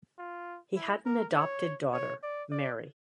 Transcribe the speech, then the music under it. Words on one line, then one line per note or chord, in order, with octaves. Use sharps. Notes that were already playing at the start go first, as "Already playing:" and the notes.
He had an adopted daughter, Mary.
F4
E4
A#4
C#5
C#5
D5
D5